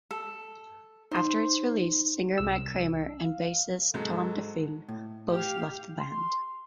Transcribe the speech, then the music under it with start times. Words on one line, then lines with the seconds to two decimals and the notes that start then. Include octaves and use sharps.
After its release, singer Matt Kramer and bassist Tom Defile both left the band.
0.11 A4
1.12 D#4 C5 C6
2.38 C2 E6
3.23 F5
3.94 G#2 F#3 G#3 A4
4.88 A2
5.30 G4 F5
5.99 C6